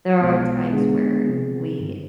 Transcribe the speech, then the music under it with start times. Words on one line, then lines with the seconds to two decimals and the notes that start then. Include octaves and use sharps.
there are times where we
0.20 B1 B2 G#3 B3 F4
0.73 D3 G#3 B3 D4 G#4
1.26 C3 F3 C4 F4 G#4
1.79 G2 D3 G3